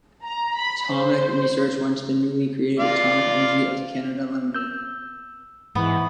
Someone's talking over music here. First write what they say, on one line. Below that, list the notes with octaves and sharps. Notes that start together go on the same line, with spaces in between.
Atomic research went to the newly created Atomic Energy of Canada Limited.
A#5
B5
C5
F4 D5 F5
E6 G6
G#2 E3 B3